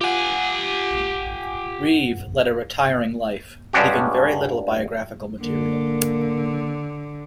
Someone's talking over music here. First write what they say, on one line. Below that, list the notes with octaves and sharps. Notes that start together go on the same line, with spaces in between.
Reeve led a retiring life, leaving very little biographical material.
F4 G4 F#5 G#5
G2 G#3 C#4 D4 F#4 G4
D3 A#3